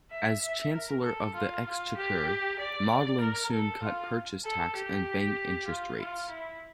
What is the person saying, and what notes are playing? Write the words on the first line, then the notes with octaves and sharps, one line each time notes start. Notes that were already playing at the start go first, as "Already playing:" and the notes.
As Chancellor of the Exchequer, Maudling soon cut purchase tax and bank interest rates.
E5
E5
A#4
A4
F4
F4
G4
D5
A#4
A4
F4
A4
G4
F4
F4
E4